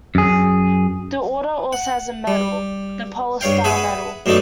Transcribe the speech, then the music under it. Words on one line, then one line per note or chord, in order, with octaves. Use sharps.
This order also has a medal, "the Polar Star Medal".
F#2 G#4
F#5
G3
G2 C#5 F5 G5
G#4 B4 E5 F#5 G#5
F#2 B2 A3 D4 D#4 A4